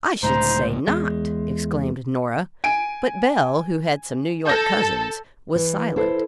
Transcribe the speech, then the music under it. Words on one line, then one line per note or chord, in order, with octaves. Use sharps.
"I should say not," exclaimed Nora; but Belle, who had some New York cousins, was silent.
C#2 A2 D3 C5 A#5
E2 G#3
G#5 D7
A4 G6 A#6
E3
E4 A4 C5